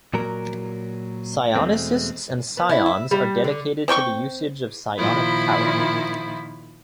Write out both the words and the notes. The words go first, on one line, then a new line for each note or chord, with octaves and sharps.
Psionicists and Psions are dedicated to the usage of psionic power.
A#2 F#3 A#4
E2 B2 G#3 A3 C4
B3
E4
E5
G3
D3
C4 G5 C6 C#6
A#2 D#3 F3 E4 B5